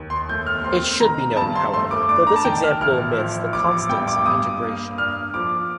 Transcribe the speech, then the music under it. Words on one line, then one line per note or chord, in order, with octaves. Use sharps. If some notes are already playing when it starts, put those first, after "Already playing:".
It should be noted, however, that this example omits the constants of integration.
Already playing: D#2
C6
A3 G6
F6
C4 C6
D#3 A#5
G2 A5
C6
A3 C6
D6
D4 D6
A#5
A5
D#3 G5
F6
A1 F6
F3
A1 D6
D6
G2 G5
D6
G2 D#6
A#3
D4 F6
F3 D6